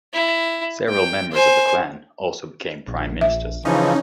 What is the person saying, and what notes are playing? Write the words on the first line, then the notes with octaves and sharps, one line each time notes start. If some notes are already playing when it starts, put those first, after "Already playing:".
Several members of the clan also became prime ministers.
E4
G5
C5 G#5
A#1
E5
C#3 E3 F3 C#4 D#4